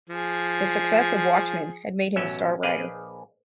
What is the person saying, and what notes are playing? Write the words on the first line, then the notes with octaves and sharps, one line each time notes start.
The success of "Watchmen" had made him a star writer.
F3 G#4
A1 B2 F#3 C#4 E5
A#1 G#4 B4 D5 D#5 F5